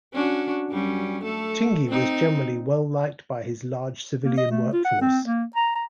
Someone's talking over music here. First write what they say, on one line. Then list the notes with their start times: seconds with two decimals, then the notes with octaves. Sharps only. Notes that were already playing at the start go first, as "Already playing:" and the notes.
Tingey was generally well liked by his large civilian workforce.
0.13 C#4 D4 F#4
0.70 F#2 G3 C#4
1.24 A3 A4
1.89 C4 D#4
4.24 A#3
4.38 D#5
4.51 A3
4.73 F4
4.85 F#5
5.01 C4
5.25 A#3
5.55 A#5
5.75 A#5